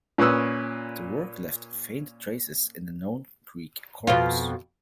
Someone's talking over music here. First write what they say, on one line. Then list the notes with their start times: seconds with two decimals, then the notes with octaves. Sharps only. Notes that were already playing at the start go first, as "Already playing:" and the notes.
The work left faint traces in the known Greek corpus.
0.18 A#2 C#4 B4 D#6 E6
4.07 F2 B2 F4